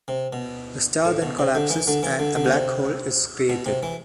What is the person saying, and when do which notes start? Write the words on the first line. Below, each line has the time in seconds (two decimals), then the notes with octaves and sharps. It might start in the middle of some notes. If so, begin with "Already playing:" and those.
The star then collapses and a black hole is created.
0.08 C3
0.33 B2
1.05 A2
1.22 B2
1.39 C3
1.55 D3
1.70 E3
1.87 D3
2.03 E3
2.19 D3
2.36 D3
2.45 B2
2.53 C3
3.50 B2
3.66 C3
3.83 E3